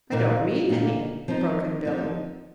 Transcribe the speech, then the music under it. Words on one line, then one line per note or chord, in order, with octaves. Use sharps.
"I don't mean any," broke in Billy.
A#2 A#3 D#4
A#2 A#3 D#4
F3 C4 D#4
F3 C4 D#4